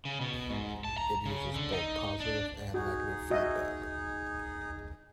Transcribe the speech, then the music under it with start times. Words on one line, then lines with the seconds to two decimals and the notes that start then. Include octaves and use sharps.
It uses both positive and negative feedback.
0.05 C#3
0.21 B2
0.50 G#2
0.84 A5
0.98 A#5
1.25 C#3
1.56 D3
1.72 D#4
2.20 D4
2.74 D#4 F#4 G#4
3.30 F#4 D#5 E5